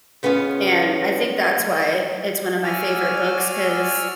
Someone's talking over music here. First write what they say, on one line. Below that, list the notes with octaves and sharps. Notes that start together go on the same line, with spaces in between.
And I think that's why it's one a my favorite books 'cause
C#3 B3 C#4 F4 G#5
F#4 D5 G#5 E6 F6